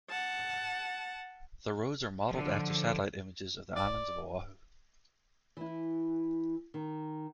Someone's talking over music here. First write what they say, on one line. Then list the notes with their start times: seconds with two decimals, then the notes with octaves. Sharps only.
The roads are modeled after satellite images of the island of Oahu.
0.10 F#5 A5
2.30 D3 F3
3.76 D5
5.57 E3 E4
6.74 D#3